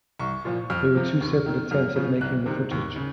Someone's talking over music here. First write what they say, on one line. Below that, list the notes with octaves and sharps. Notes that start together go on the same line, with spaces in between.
There were two separate attempts at making the footage.
C2 C#6
A#2 F3
F2 F6
C3 F3
D#2
D#3
F#2 F6
C#3 F3
C2 F#6
C3 D#3
D#2
C#3